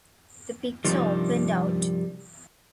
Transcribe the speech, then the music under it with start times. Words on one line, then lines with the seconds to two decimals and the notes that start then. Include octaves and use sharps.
The picture opened out.
0.85 G2 C3 D#3 F3 G3